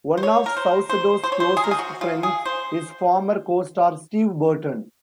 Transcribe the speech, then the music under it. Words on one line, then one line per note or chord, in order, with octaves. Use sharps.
One of Saucedo's closest friends is former co-star Steve Burton.
C5
C#5
A#4
C5
C5
C5
C#5
C5
G#4
A#4
G#4
F#4
F4
G#4
C5